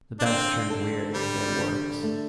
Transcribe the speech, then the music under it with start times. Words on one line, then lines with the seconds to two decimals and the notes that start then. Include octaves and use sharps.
The best turned weary of their works.
0.20 D4
0.25 D3 C4
0.70 A4
1.14 D3 G3
1.60 D3
2.03 A3